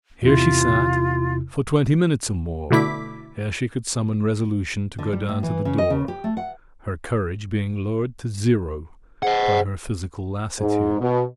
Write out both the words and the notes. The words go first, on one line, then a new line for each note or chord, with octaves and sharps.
Here she sat for twenty minutes or more ere she could summon resolution to go down to the door, her courage being lowered to zero by her physical lassitude.
E2 C3 E4 F4
B2 D3 A3 E4 D6 B6
D3
G3
A2
E3
C#3
D#5
C#3
G4
A3
F#5
G#4 C5 D#5 F#5 G5
G#2
B2